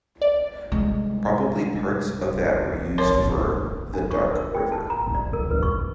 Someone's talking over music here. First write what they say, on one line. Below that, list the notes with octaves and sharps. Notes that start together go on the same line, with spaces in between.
Probably parts of that were used for "The Dark River".
D5
C2 C3 G#3 A3
F3 C4 A#4 C#5 C6
D4
C#6
A#4
G5
A5
A#5
D5
A#4
B4
C#6